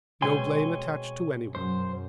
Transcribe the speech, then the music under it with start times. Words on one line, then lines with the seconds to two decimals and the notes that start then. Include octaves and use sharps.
No blame attached to anyone.
0.22 B2 G#3 C4 C#5 G#5 C6
1.55 F#2 C5